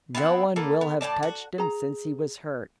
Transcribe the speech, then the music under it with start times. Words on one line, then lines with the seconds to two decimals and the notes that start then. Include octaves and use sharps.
No one will have touched him since he was hurt.
0.15 B3 C4 E4 F#5
0.56 A#3 B3 A4
0.81 B3
1.01 A2 A3 D5 A5
1.23 F#4
1.58 G#4 A#5